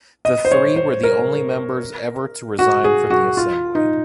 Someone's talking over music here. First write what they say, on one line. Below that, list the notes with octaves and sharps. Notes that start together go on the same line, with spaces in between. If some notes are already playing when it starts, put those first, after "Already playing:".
The three were the only members ever to resign from the Assembly.
D#5
C5
C#5
C5
A#4
F#4
G#4
F#4
F4
D#4